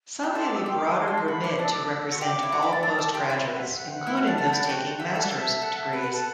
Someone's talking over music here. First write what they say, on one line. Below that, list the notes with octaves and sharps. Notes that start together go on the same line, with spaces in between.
Some have a broader remit to represent all postgraduates, including those taking Master's degrees.
G4
A4 C6
D6
E6
G4 C6
D6
C6
D6
C6
D4
E4
F#4 B5
E4 D6
D4 D6
E6
D6
E6
F#4 C6
G4 D6
E4
F#4
E4
D4
D4 E6
A4 D6
G4 C6
E4 C6
E5
F#5
E5
F#5
G5
F#5
E4
F#4
D4
D4
E4
G4
F#4 G5
F#5
G4 E5
A4 F#5
A4 E5
A4 F#5
E5
B4 F#5
B4
A4